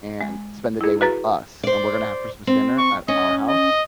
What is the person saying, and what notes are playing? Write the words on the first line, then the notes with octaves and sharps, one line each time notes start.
and spend the day with us, and we're gonna have Christmas dinner at our house.
G#3
E4 G#4
F#4 B4 A#5 A6
C5 D5
C4
C#6
C#4 D#5
D#5